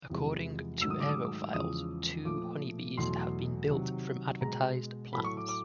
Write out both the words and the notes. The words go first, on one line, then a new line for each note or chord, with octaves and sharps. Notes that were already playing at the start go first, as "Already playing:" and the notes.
According to Aerofiles two Honeybees have been built from advertised plans.
E2 C3 F3 G#3
G#2 D#3 F#3 A3 E6
D#6
D6
D#6
E2 C#3 F3 G#3 D#6
A#2 F3 A3 D6
E2 B2 F#3 A3 C6
C3 D#3 F#3
B2 G#3 A#5
A2 F#3 A3 B5
C#6
D6
D6